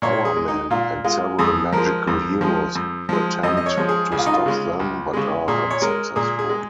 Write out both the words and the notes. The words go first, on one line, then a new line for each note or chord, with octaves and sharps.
Hourman and several magical heroes attempt to stop them, but are unsuccessful.
A#2 C#5
G#4
G#3
D#4
A#2 F4
G#3 F4
F2 G#4
F3 G#3 A#4
F2
F3 G#3
F2
F3 G#3
F2 D#5
D#5
C#5
F3 G#3
G#4
C#2 G#4
F4
D#4
F4
C#3 G#3
C#2
C#3 G#3
A#2 G#4
C#5
G#3 A#4
A#2 G#4
G#4
G#3